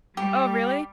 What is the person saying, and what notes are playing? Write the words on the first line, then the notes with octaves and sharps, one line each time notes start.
Oh, really?
G3 G4